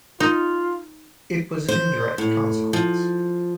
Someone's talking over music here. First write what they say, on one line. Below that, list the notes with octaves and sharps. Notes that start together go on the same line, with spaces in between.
It was an indirect consequence.
D#4 F4
C5
A2
F3